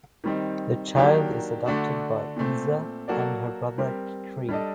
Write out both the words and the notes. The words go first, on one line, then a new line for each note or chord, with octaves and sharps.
The child is adopted by Iza and her brother Creb.
D#3 G3 C4 D#4
D#3 F#3 A#3 D4 G4
D3 A3 D4 F#4
A#2 A3 C4
F#3 A#3 F#4 A4 D5
G3 C4 G4 A#4
G3 D4 A4 D#5